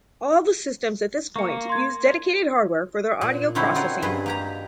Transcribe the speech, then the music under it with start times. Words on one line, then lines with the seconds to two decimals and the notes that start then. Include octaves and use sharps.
All the systems at this point used dedicated hardware for their audio processing.
1.36 A#3 C#6 C#7
1.69 C6 G#6
3.21 A#2
3.55 D3 C4 D#4 E4 F#4 C#5
3.75 D#4 F4 A#4 D#5 F#5
4.02 G2 G#4 B4 D#5
4.26 A#3 G4 A#5